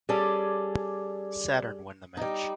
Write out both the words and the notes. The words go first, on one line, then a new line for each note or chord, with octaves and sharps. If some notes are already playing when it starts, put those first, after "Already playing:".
Saturn won the match.
G3 C#4 G#4 A4 D5
G3 D#4